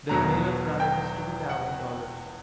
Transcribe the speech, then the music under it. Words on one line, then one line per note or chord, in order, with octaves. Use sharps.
The minimum prize is two thousand dollars.
E1 E2 B2 F#3 A#5
G5
F#5